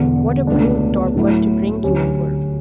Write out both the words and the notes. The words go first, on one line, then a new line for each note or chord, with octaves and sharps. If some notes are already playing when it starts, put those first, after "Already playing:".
What a brute Torp was to bring you over.'
Already playing: E1 E2 D3
C#2 B2 A3 D4
A2 F#3 A3 E4
D2 D3 F#3 C#4 G4